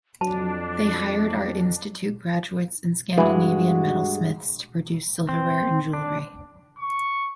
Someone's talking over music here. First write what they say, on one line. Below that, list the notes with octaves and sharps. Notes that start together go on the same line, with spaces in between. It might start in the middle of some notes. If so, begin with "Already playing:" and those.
They hired Art Institute graduates and Scandinavian metalsmiths to produce silverware and jewelry.
F2 F#3 D4 A5
G2 E3 G#3 F#4
C4
D4
C#6